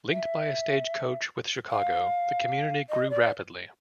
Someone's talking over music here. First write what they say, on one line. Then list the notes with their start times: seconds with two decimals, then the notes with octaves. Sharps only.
Linked by a stagecoach with Chicago, the community grew rapidly.
0.11 E5
1.70 F5
2.90 D#5
3.10 D5